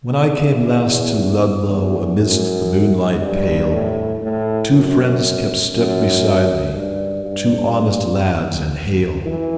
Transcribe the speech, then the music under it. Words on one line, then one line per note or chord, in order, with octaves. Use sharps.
When I came last to Ludlow Amidst the moonlight pale, Two friends kept step beside me, Two honest lads and hale.
E2
E2
F#2
G2
A2
A2
F#2
F#2
G2
G2
E3